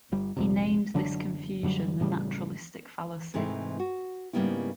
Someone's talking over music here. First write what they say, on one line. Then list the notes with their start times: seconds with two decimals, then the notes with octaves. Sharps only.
He named this confusion the naturalistic fallacy.
0.12 G1 G3
0.37 A#1 F2 C3
0.94 F#1 D3 F#3 D4
1.63 F#2 D3 F#3 G3
2.00 F#1 A2 C#3 G3
3.34 G#2 C3 E3 G#3 A3 E4
3.79 F#4
4.33 G#2 C#3 G3 A#3 B3 E4